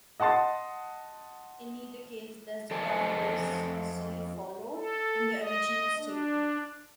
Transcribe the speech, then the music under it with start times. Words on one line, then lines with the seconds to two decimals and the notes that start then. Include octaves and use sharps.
In neither case does the converse necessarily follow from the original statement.
0.20 D#5 F#5 A5 C6 A6
2.71 F2 A4 C5 D#5 G#5 A5
4.75 A4
5.37 D#5
5.98 D4